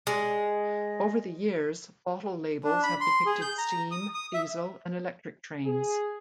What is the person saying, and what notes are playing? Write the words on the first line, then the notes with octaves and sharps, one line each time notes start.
Over the years bottle labels have depicted steam, diesel and electric trains.
G#3
D4
B5
C6
G#4
G6
A#5
D#6
D#6
E5
G#4